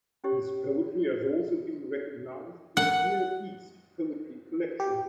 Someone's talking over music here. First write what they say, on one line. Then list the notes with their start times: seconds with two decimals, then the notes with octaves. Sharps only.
His poetry has also been recognized in Near East poetry collections.
0.24 C#4 G4 C#5
2.77 F#5
4.80 G4